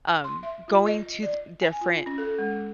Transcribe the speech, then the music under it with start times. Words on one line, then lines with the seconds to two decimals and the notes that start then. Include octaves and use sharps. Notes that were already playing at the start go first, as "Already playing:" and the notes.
um, going to th different
0.24 C6
0.43 E5
0.68 F4
0.86 D#5
1.22 D5
1.62 G#5
1.81 F4
2.06 C#4
2.18 A4
2.38 G#3